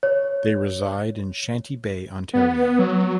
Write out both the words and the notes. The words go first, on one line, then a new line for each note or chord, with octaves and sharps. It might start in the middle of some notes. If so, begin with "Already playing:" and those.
They reside in Shanty Bay, Ontario.
C#5
B3
F#3